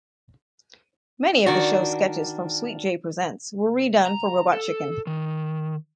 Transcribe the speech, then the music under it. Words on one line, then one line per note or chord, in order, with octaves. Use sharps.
Many of the show's sketches from "Sweet J Presents" were redone for "Robot Chicken".
D#3 D4 F#4
A#5
A4
D#3